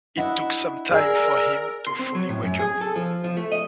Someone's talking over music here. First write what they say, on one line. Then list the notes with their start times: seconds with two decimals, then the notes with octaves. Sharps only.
It took some time for him to fully wake up.
0.18 D4 E4 D#5 E5 F#5
0.91 G#4 A#4 D5 E6
1.87 C6
1.99 C4
2.15 F#3
2.29 A2
2.43 F#2
2.59 G#4
2.81 A4
2.96 F3
3.24 F3
3.37 A3
3.52 D#5